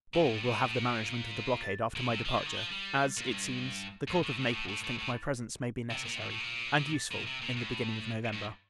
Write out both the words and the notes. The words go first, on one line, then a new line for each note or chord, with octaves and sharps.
Ball will have the management of the blockade after my departure; as, it seems, the Court of Naples think my presence may be necessary, and useful, in the beginning of November.
C3
A#2
A2
A2
A#2
A2
A#2
A#2
C3
F3
D3
D#3
F3
G3
A#2
G2
A2
A2
A2
A2
A2
A2
A2
C3
A#2
A2
A2
A#2
A#2
C3
A#2
A2
G2